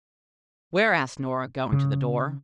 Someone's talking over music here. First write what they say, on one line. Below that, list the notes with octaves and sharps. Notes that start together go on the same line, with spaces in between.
"Where?" asked Nora, going to the door.
C#3